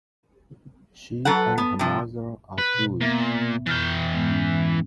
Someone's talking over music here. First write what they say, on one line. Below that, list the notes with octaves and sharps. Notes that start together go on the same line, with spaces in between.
She and her mother are Jewish.
F#3 A4 B4 F#5
B3
C3 F3
B4
B2
A#2 B3 E5
F2 E3 G5 F6 A6
G#2 G#3 B3
C#4